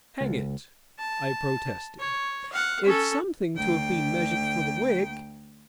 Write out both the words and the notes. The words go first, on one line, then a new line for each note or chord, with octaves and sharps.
"Hang it," I protested, "it's something to have been measured for the wig."
C#2
A5
C#5
F5 F#5
C#4 A4
D2 G5